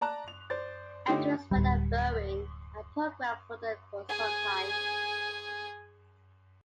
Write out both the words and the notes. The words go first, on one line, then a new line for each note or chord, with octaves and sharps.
Edwards worked at Boeing and programmed for them for some time.
D5 A5 A#5 F#6
F7
C5 D5 A6
D3 A3 D#4 F4 G4 C#5
D1 G3
G#4 G#5